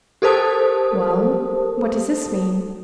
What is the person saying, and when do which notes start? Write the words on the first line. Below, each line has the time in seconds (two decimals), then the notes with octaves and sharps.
'Well? what does this mean?'
0.22 G4 A4 A#4 C5 A5 D#6